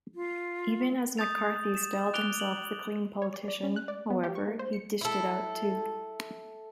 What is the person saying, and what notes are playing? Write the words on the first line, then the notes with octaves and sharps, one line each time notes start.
Even as McCarthy styled himself the clean politician, however, he dished it out, too.
F4
D#6 G6 A6 F7
E7
D6 F#6 D7 F7 G7
F#7
C#5
D5
D5
C#4
F#6
D5
B3
G4
C#6
A#3
C5
C#7
E4 A4